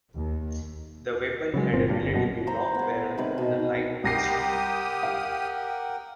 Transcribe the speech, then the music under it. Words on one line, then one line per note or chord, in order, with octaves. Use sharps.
The weapon had a relatively long barrel and a light construction.
D#2
C#3 F#3 G#3
G1 A#2 C4
G2 A#2
G1
F#2 B2
C5 A#5 B5
B3 G#4
C3 D#3 B4
B2
C2 G4 A#4 F#5 G5 D#6 A#6 C7
F5